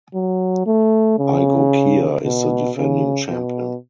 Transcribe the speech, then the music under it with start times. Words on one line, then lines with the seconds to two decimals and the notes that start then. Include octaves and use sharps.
Igokea is the defending champion.
0.14 F#3
0.67 A3
1.19 C#3
2.24 B2
2.76 C#3
3.29 B2